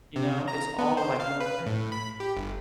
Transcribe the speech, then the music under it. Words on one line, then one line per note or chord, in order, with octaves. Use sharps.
you know, it's all like one thing.
C3
A#5
B3
C5
F5
B4
A2
B5
G4
G1